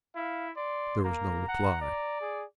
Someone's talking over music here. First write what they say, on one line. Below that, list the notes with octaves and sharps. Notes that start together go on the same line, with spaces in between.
There was no reply.
E4 F5
D5 C6
A#3 A#5
F#5
D5
G#4